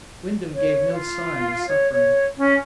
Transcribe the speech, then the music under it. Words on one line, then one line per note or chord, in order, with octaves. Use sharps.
Wyndham gave no sign of suffering.
C#5
F4
C#5
C#5
C#4